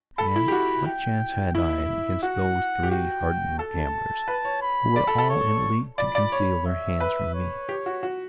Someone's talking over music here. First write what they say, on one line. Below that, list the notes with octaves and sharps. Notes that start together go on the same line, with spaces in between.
And what chance had I against those three hardened gamblers, who were all in league to conceal their hands from me?
A4 B5
E4
G4
F#4
G5
E4 E5
F#4 F#5
G4
F#4 G5
A4 A5
B4
C#5
B5
D5
A4
A4
C#5 C#6
D5 B5
D5
C#5
E5
B4
C#5
G4
F#4
F#4